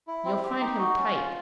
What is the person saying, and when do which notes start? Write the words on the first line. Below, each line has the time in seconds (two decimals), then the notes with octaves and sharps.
You'll find him tight.
0.07 E4
0.25 C4
0.43 G4
0.61 D#4
0.79 F#4
0.97 C#4
1.14 F4